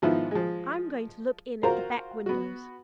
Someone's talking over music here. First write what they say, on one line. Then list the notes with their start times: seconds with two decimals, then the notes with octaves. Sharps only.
I'm going to look in at the back windows.
0.02 G#2 D#3 F3 B3 E4 F4
0.31 F3 G#3
1.63 F4 F#4 A#4 C5 A#5
2.26 B3 F#4